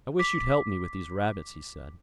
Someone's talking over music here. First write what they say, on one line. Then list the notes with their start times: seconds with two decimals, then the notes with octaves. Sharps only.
"I wish you'd help me with these rabbits," he said.
0.19 D6 B6